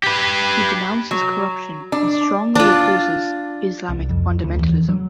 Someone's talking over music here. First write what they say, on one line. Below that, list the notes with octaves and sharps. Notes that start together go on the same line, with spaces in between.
He denounces corruption and strongly opposes Islamic fundamentalism.
G4 B4
F#3
D4
D4 F4
C2
F2
D2
E2
F#3